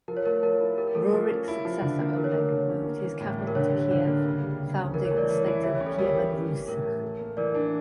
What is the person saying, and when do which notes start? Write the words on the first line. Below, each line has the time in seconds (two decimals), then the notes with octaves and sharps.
Rurik's successor Oleg moved his capital to Kiev, founding the state of Kievan Rus'.
0.08 F3 A#4
0.17 C#5
0.26 A3 A#4
0.43 F3 A#4
0.60 E4
0.77 G4 A#4
0.88 A#4
0.95 A3 A4
1.12 F3 A#4
1.30 C#4
1.48 E4
1.65 F3
1.82 D3
2.00 A#3
2.17 G4 A#4
2.24 C#5
2.32 A3 A#4
2.52 D3
2.69 C#4
2.86 A#3
3.04 E3
3.21 A2
3.38 G3
3.47 A#4
3.55 D3 C#5
3.73 G3
3.91 D3
4.07 A#3
4.25 C#3
4.42 G3
4.60 C#3
4.77 C#4
4.94 E3 A#4
5.05 C#5
5.11 A3
5.17 A#4 D5
5.29 E3
5.47 E4
5.63 G3 C#5 E5
5.75 C#5
5.80 C#4
5.86 A4
5.98 G3 A#4
6.16 G4
6.33 C#4
6.51 E3
6.68 A2 A#4
6.86 A3
7.02 A4
7.19 A#3
7.37 E3 A#4 D5
7.55 D4